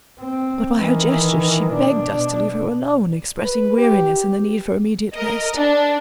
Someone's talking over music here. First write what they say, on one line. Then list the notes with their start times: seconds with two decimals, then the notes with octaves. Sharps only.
But by her gestures she begged us to leave her alone, expressing weariness and the need for immediate rest.
0.21 C4
0.81 D#3 E3
1.73 B2 D4
3.45 B4
3.78 G4
5.13 A#4 D#5
5.56 D4